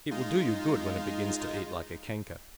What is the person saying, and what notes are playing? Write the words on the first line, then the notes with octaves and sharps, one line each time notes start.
It will do you good when it begins to eat like a canker!
G#3 D#4 F4